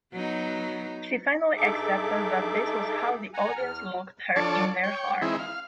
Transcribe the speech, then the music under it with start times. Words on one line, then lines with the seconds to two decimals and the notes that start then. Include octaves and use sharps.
She finally accepted that this was how the audience locked her in their heart.
0.13 F#3 B3 D#4
1.57 G2 D#4 G#4 A4 E5 D6
3.34 F#5 G#5 A#5
3.57 E2 F6
4.36 F3 D4 A4 C#5 D5
4.83 C#5 G5
5.22 E3 G#3 C4 D#4 E4
5.39 F5